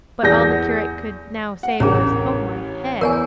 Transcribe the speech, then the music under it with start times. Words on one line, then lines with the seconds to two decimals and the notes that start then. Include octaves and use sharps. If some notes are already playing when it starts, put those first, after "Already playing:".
But all the curate could now say was, 'Oh, my head!'
0.23 E2 G6 A#6
1.63 F#5
1.80 A1 C#4 D4 G#4 A#4
3.01 E2 A#4 C#5 G#5